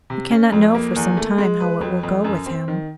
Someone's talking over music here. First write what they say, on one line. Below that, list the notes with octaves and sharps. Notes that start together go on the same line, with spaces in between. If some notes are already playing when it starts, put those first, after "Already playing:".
We cannot know for some time how it will go with him.
C3
C#4
F2
A#3
E2
A3
G#3
B4
F2
F2
F#2
C4
D#3